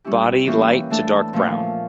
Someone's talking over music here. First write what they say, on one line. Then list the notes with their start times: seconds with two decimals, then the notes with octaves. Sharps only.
Body light to dark brown.
0.04 G3 C#4 E4 G4
0.47 E3 A#3 C#4 G4
0.90 E3 A3 D4 A4
1.33 A#2 F3 A3 C#4 F4